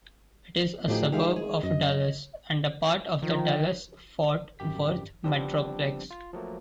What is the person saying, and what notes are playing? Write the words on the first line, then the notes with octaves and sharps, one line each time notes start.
It is a suburb of Dallas and a part of the Dallas-Fort Worth Metroplex.
A2 F3 D4 D#4 G4 G#4
D#3 G#3 G4 E5 F5
G#4
F#2 D#5
D#3 F3
G#1 F#2 G4 B6
F3 G3 B3 C4 D4 G4
F4
F3 F#3 A3 A#3